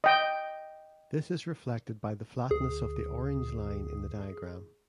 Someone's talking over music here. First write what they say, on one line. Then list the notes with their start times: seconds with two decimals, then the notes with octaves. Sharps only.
This is reflected by the flatness of the orange line in the diagram.
0.04 D#5 G5
2.51 D2 G#4